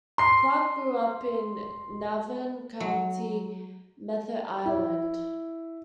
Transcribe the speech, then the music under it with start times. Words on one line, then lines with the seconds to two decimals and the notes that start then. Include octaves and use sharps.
Clarke grew up in Navan, County Meath, Ireland.
0.18 C6 C7
2.80 F#3
4.65 E4